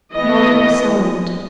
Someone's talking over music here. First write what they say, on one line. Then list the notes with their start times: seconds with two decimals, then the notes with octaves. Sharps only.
Margaret was silent.
0.13 E3 B3 D#5